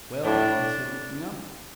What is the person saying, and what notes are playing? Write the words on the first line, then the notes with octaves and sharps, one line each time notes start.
"Well?" I said, looking up.
A2 D4